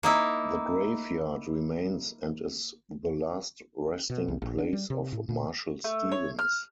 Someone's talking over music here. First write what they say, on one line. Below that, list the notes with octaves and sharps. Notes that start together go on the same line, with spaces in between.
The graveyard remains and is the last resting place of Marshall Stevens.
A#3 D#4 E4
B2
C2
A#1
D4
G3
C3
A2
A#2
A3
C#5
F6